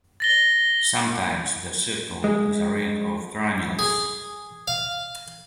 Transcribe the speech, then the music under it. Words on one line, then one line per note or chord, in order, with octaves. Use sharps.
Sometimes the circle is a ring of granules.
A6 A#6 G7
G#3
G#4
F5